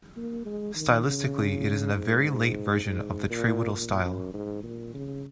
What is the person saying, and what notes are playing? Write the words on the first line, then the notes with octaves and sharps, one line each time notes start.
Stylistically it is "in a very late version of the Trewhiddle style".
A#3
G#3
D#3
C#3
G#2
G#2
A#2
A#2
F#2
G#2
A#2
C#3